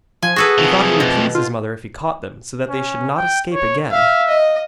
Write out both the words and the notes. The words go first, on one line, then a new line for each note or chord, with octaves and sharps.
He thought he would please his mother if he caught them, so that they should not escape again.
F3 G#5
F#4 G#4 A4 B4
C3 F3
B2
F4
C#4
G5
C#5
E5 F5
D#5